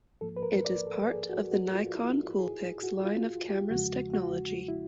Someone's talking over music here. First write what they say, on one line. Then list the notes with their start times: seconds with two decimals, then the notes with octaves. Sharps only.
It is part of the Nikon Coolpix line of cameras Technology.
0.21 G#2 F3 A#3 A4
0.37 B4
0.43 A#4
0.65 D5
0.87 A4
1.08 G#4
1.29 F#4
1.52 F#4
1.74 F4
1.95 E4
2.39 G#4
2.83 F#4
3.05 F4
3.49 G4
3.70 E2 C#3 F3 G#3 F#4
4.14 F#4
4.68 E4